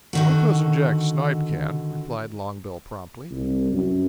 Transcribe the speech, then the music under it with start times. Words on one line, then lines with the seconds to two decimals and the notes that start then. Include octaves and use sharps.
"My cousin, Jack Snipe, can," replied Longbill promptly.
0.13 D3 D#3 F#4
3.31 C2
3.72 F#2